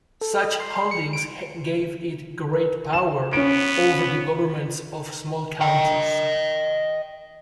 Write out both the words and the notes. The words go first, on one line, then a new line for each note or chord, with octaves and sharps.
Such holdings gave it great power over the governments of small countries.
A4
D#5
C6
C6
C#7
D7
A#4 B4
E7
B3 C#4 D7
D#5 G5